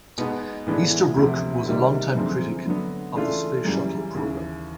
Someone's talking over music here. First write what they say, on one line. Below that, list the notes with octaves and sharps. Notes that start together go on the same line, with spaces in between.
Easterbrook was a longtime critic of the Space Shuttle program.
B2 G#3 B3 D#4
A2 E3 G#3 B3 D4
D2 C3 F3
C3 D#3 G3 A#3 D#4
F#2 D3 F3 G#3 C4
D3 F#3 B3
C#3 E3 A3 D4 F4
F#2 C#3 E3 G3
D#2 C#3 E3